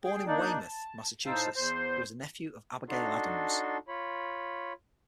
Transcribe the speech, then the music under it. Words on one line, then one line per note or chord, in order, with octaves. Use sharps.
Born in Weymouth, Massachusetts, he was a nephew of Abigail Adams.
G#4 G5
A#3 D4 D#4 D5
A5
A2 D#4 C5 F5 A5 E6
E2 C5 C6
D4 D#4 F#4 A4 C6
F4 C#5 B5